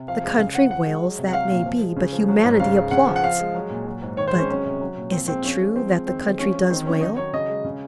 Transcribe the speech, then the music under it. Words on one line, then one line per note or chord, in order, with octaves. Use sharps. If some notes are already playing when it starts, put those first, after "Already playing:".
The country wails, that may be, but humanity applauds. But is it true that the country does wail?
Already playing: C3
F3 F5
G#3
C#3 F5
F3 F#5
F3 F#5
G#3
F#3
C3
F#5
F#3 F5
A#2
F3
G#3
C#3
F3
F#3
G#2
C#3 F5
G#3
C#3 F#5
F3
F#5
F3 F5
G#3
F#3
A#2
F#3
G#2
D#3 C#5
C5
G#3 C#4
F#3 C#4
C3
F#3
A#2
F3 C4
G#3 C4
F3 C#4
G#3
F3 C4
G#3
D#3 C4
G#3 C4
F3 C#4
G#3
D#3 C4
F#3 C#4
D#3 D#4
F#3 C#5
C#3 D#5
G#3
C#3